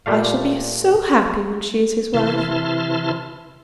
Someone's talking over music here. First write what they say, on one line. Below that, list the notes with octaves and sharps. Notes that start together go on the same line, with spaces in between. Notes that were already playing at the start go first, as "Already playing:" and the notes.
I shall be so happy when she is his wife.
A#2 G3 A3 F5
C3 E3 E4 A5 C6 F6